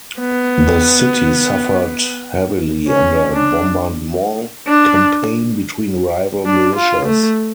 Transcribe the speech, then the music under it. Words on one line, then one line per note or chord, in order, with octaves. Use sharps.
The city suffered heavily under a bombardment campaign between rival militias.
B3
C#4
D4
D4
D4
F4
A3